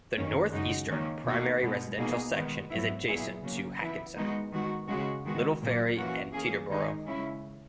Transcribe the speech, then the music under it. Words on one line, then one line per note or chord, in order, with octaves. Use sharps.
The northeastern, primary residential section is adjacent to Hackensack, Little Ferry and Teterboro.
F#2 D#3 A#3 C#4
F#2 C#3 G#3 D#4 F#4
D#3 A#3 C#4
B2 A#3 D#4 F#4
B2 G#3 B3
B2 A#3 D#4 G#4
D#3 G#3 B3
G#2 F#3 B3 E4
A#2 F#3 B3 E4 G#4
C#3 F#3 A#3
E3 B3 E4
D#3 G#3 B3 D#4 F#4
D#3 G#3 B3 F#4
C#3 G#3 C#4 F#4
D#3 G#3 B3 F#4
A#2 F#3 A#3
E3 A#3 C#4 F#4
E3 A#3 C#4 G#4
D#3 G#3 D#4 G#4
C#3 G#3 C#4 E4